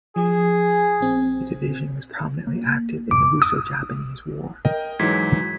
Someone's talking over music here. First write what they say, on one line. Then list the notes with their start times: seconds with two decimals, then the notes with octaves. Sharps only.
The division was prominently active in the Russo-Japanese War.
0.16 F3 G#4
1.01 A#1 C4
2.47 A#3
3.11 F2 G#2 B2 D6
3.42 D#6
4.65 A#4 D#5 G5
4.99 G#2 E3 F#3 G#6 B6